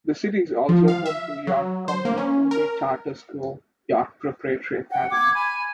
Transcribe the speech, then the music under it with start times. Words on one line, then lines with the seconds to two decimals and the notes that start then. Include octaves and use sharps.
The city is also home to York County's only Charter school, York Preparatory Academy.
0.69 F3
0.88 F5
1.06 E5
1.47 F#3
1.88 C5
2.05 A#3
2.18 C#4
2.51 A#4
4.90 F#5 G5
5.10 D6 G#6
5.34 G#5 B5